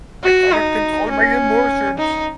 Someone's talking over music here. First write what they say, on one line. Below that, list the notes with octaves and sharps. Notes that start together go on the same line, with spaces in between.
I cannot control my emotions.
F#4
D#4
C#4
D#4